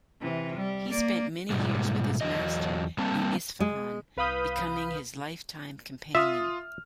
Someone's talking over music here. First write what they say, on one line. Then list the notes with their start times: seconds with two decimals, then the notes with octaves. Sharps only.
He spent many years with his master in Isfahan, becoming his lifetime companion.
0.21 C3 E3
0.56 G3
0.90 A#3 D5
1.50 G#2 B2 G3 G#3
2.21 E2 F#3 D#5
2.98 G3 A#3 C4 A5
3.60 G#3
4.17 C2 B4 F5 B5 D#6 G6
6.15 F4 E5 D#6 F6